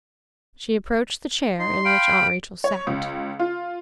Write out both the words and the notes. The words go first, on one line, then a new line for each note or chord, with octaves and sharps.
She approached the chair in which Aunt Rachel sat.
D#4 C6
F5 G5 B5 D7
C#5
C#2
F4